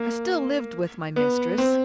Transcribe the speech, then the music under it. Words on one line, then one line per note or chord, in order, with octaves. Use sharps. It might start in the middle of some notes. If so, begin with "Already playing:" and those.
I still lived with my mistress.
Already playing: A#3
B3
C4